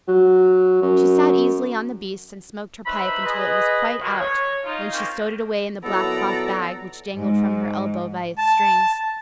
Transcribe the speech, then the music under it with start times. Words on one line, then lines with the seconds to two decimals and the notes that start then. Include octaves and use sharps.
She sat easily on the beast and smoked her pipe until it was quite out, when she stowed it away in the black cloth bag, which dangled from her elbow by its strings.
0.08 F#3
0.82 F#2
2.86 D#4 B4 C5 E5 B5
3.25 G#4 B4 D#5
4.01 B2 D#3 F#3 G#3
4.19 C#5
4.64 D#4 F4
4.93 D#3 A#3 C4 C#4
5.84 A#2 F#3 B3 E4 A4 D5 A#5
7.15 G#2
8.38 A5